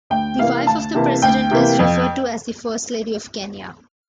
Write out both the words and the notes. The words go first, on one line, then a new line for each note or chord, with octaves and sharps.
The wife of the President is referred to as the First Lady of Kenya.
D2 G5
C3 E3 A#3 F5
D2 A5
C3 E3 A#3
D2 G5
C3 E3 A#3
F2